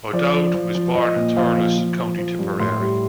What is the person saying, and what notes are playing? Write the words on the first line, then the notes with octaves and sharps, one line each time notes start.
O'Dowd was born in Thurles, County Tipperary.
F3 D5
F3
F3
F3
F3 D#5
A#2
F3 F5
F3
F3
F3
F3
G2
A2 C6
G3